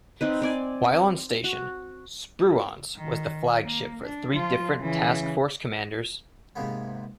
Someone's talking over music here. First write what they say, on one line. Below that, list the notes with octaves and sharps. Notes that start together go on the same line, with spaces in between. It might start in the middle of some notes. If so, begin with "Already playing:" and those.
While on station, "Spruance" was the flagship for three different task force commanders.
C4 D#4 B4
C4 D5 G#5
F#4
D#3
A#3
D4
F3 F4
C#3 E3
G#2 C3 A#3 B3